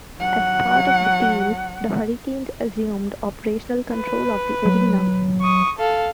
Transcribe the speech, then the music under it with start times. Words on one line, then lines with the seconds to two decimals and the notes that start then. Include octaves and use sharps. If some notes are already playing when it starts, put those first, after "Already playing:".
As part of the deal, the Hurricanes assumed operational control of the arena.
0.18 F#3 F#5
3.96 B4
4.65 F#3
5.41 C#6 D#6
5.79 A4 F5